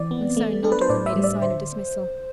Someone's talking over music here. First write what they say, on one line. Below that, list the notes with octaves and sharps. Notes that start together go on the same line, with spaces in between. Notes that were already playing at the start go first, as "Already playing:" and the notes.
Monceux nodded, and made a sign of dismissal.
Already playing: E3 C4 D5
B3
A3
D4 A4
B4
C5
A2 D5
E5
G3
D5
D3 C5